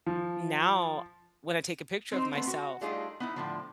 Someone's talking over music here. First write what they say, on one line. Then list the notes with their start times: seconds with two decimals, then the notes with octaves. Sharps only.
now when I take a picture of myself,
0.06 F3
2.12 C4 D#4 C5
2.33 A3 B3 C4
2.47 F#4
2.81 G3 A3 D4 D#4 F4 G#4
3.20 B3 D#4 E4
3.36 A2 D3 F3